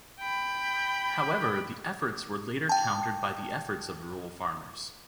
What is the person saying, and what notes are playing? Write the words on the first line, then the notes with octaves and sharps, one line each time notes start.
However, the efforts were later countered by the efforts of rural farmers.
G5 B5
G5 A5